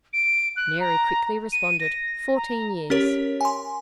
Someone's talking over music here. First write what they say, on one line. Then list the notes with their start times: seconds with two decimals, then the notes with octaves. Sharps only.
Mary quickly responded, "Fourteen years."
0.13 D7
0.56 F#6
0.80 A#5
1.52 D#7
1.80 A#6
2.36 A#5
2.90 C#4 G4 A#4 C#5
3.41 G#5 C6